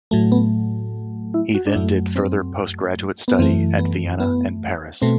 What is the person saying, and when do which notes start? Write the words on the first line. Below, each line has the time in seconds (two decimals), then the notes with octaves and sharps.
He then did further postgraduate study at Vienna and Paris.
0.11 A2 F#3 A3
0.32 B3
1.34 E4
1.54 F#4
1.67 D4
1.75 F#2 F#3 A3 E4
2.16 C4
3.28 B3
3.38 F#2 E3 A3 C4
3.79 B3
4.20 B3
5.02 B2 A3 C4